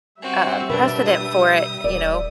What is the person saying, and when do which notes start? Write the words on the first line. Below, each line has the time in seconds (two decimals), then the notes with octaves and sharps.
um, precedent for it, you know,
0.22 G3 C4 F#4 E5
0.70 B2 D4 B4
1.05 D#6
1.84 D#1 D5